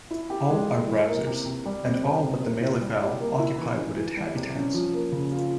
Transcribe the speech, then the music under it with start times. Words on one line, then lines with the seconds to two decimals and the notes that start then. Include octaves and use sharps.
All are browsers, and all but the malleefowl occupy wooded habitats.
0.11 E4
0.30 G4
0.50 G#3
0.69 G#3
0.88 E3
1.07 A#3
1.27 C3
1.46 C3
1.65 G3
1.85 C4
2.05 C3
2.24 C3
2.42 A#3
2.61 E4
2.81 G3
3.00 G4
3.20 A#3
3.39 E4
3.58 E3
3.78 E3
3.97 E3
4.17 G3
4.36 C3
4.55 C#4
4.74 F3
4.94 A#3
5.12 C#3
5.32 F4